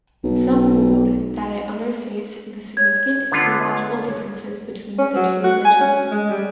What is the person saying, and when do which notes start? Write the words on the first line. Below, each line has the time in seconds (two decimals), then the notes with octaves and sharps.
Some hold that it understates the significant theological differences between the two religions.
0.24 B1
2.77 C#5 G#6
3.32 D3 B3 F4
4.99 C#4
5.15 F#3
5.44 F#4
5.65 G#5
5.80 C#4
6.11 G#3
6.30 G3